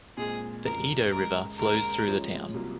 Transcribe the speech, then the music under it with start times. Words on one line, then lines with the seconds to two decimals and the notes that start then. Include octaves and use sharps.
The Edo River flows through the town.
0.17 A#2 G#3 C4 F4 G#4
0.65 F2 C#3 F3 A#4
1.12 C#2 C#3 G#3 A#4
1.59 D#2 C#3 G#3 A#4
2.06 F#2 F3 G#3 C#4 F4
2.54 C2 C3 F#3 A#3 F4